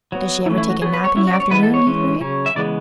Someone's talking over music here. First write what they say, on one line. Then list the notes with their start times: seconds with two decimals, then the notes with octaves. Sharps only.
"Does she ever take a nap in the afternoon?" he queried.
0.12 F#3 B3
0.46 E3 E4
0.49 A3 C#4
0.58 E4
0.69 F#4
0.81 F#3 G#4
0.86 B3
0.94 B4
1.04 C#5
1.16 F#3 C#4 E4
1.27 F#4
1.33 D5
1.40 C#5
1.50 E3 G#3 B3 B4
1.63 A4
1.74 C#5
1.86 E3 G#3 C#4
2.20 C#3 F#3 C#4
2.46 E5
2.55 C#3 E3 G#3 B3 D5